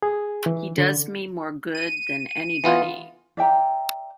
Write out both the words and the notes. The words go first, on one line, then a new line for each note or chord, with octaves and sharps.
He does me more good than anybody.
G#4
E3
D3
D#7
E3 B3 F4
D5 E5 G5 A#5